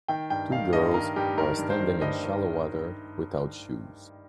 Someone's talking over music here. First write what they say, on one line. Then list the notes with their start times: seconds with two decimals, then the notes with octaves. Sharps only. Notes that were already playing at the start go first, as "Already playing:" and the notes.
Two girls are standing in shallow water without shoes.
0.08 D#3 G5
0.30 G2 G5
0.51 D#3 F5
0.73 G2 D#5
0.94 D#3 A#4
1.16 G2 G4
1.37 D#3 A#4
1.58 G2
1.70 C5
1.80 D#3
2.02 G2 D#5
2.23 D#3